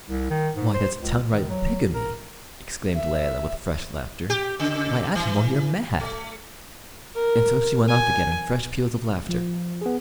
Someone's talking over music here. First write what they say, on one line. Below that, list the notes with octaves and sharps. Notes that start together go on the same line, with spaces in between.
"Why, that's downright bigamy!" exclaimed Layelah with fresh laughter. "Why, Atam-or, you're mad!" and so she went off again in fresh peals of laughter.
C2
D#3
G#2
C5
C#2
D#3
F#3
A#4
E5
G4
C#3
E3
A3
A#4
G#5
F3
B3 G#4